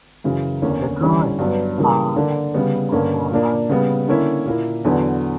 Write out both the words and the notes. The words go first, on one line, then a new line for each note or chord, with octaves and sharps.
The drawings are by three or four artists.
F#2 C#3 E3
E2 D3 A#3 C#4 E4
D3 G3 C#4 E4
G2 F#3 B3 D4
C#3 E3 G3 A#3
D3 A#3 D4
C#3 G3 B3
G2 D3 A#3 C#4
A#2 A#3 D4
C#3 G3 B3
D3 A#3 C#4 E4
A#2 A#3 E4
E2 D3 F#3 B3